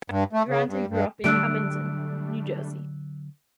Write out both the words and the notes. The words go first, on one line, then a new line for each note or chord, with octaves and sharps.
Durante grew up in Hammonton, New Jersey.
G2
A3
C#3
G2
G2
D3 F#3 G3 A3 D4 E6 F#6 D7